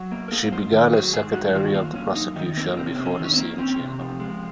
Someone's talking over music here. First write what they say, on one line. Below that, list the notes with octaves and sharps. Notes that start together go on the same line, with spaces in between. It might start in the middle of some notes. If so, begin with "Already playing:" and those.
She began as secretary of the prosecution before the same chamber.
Already playing: F#3
A#3
A#4
A#3 G#4
G#2 C5
D#3 A#4
F#3 G#4
G#2 G#4
G#2 F#4
D#3 F4
F#4
A#3 F4
F#2 C#4
F#2 D#4
D#3 D#4
A#3 C4
C3 C4
C#4
C3 C4
C#4
D#3 C4
C#4
C4
A#3
C4 C#4
C3
F3
G#3